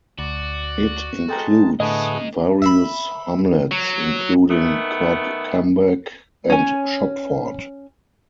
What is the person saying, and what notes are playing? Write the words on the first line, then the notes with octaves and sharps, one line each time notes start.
It includes various hamlets including Kirkcambeck and Shopford.
D2 F#4 D5
G#3 A4 G5 A5 A#5
A2 D3 G#3 A3 B3 D#4 G#4 D#5
E5 B5
F#3
D#3 A3 B3
C#4 G#5